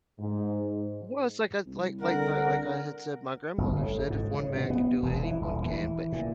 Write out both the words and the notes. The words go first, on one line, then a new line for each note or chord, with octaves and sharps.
Well, it's like a like like the like I had said, my grandmother said, "If one man can do it, anyone can," but,
G#2
C2
D3 A#4 F#5
G1
A2
G#2
C#3
B2
B3
E1
E3
D#1
E3
A#2